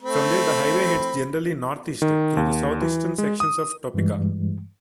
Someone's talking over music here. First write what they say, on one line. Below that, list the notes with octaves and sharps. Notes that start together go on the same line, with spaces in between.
From there, the highway heads generally northeast through the southeastern sections of Topeka.
A3 C4 B5
D#3
D#2
E3
G#3
D#6
G2 E3 G3 G#3